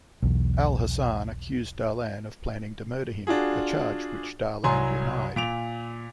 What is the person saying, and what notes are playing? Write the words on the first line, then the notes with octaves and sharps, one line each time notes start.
Al-Hassan accused Dahlan of planning to murder him, a charge which Dahlan denied.
B1 E2
D4 F4 F#4 G#4
C2 F#3 G#5 A#5 C6
A#2 D7 F7